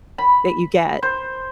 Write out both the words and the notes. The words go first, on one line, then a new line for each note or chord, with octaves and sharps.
that you get.
B5
C5